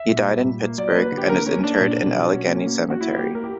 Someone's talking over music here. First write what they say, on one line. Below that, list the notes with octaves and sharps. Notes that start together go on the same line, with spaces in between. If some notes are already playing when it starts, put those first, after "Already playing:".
He died in Pittsburgh and is interred in Allegheny Cemetery.
Already playing: E5
A#2
G3
A#2
A#3
F#3 D5
A#3 B4
D3
G4
A#3 A#4
A#3 C#4
A#3 D4
A#2
B2
F#3
F#3 C#4
A#3
A#3
A#3
F#4
A#3 E4
A#3 G4
A#3 A#4
G4